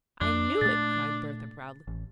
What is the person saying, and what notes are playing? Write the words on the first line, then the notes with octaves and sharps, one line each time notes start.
"I knew it!" cried Bertha, proudly.
F2 D4
A#2 A3 A6
A1